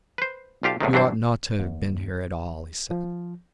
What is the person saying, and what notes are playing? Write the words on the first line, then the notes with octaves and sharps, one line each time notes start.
"You ought not to have been here at all," he said.
B4 C5
B1 F4 G4 F5 A5
E2 A2 C3 D#3
G2 E3 F#3 D4 C5
D#2
F3